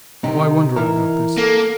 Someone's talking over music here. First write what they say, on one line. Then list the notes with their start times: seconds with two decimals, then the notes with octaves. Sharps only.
Why wonder about this?
0.24 C3 D#3 D#4
0.76 E3 A#4 E5
1.38 A#3 A4